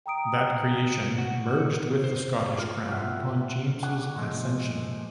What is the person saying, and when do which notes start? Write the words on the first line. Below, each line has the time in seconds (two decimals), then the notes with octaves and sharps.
That creation merged with the Scottish crown upon James's ascension.
0.06 G5 A#5 D#6 D7
1.18 F#4
2.04 C5
2.58 F4
2.90 F4 G4 D#5 E5 F#5
3.83 C#4 D4 F#5
4.16 A#2 F3 G#3 A3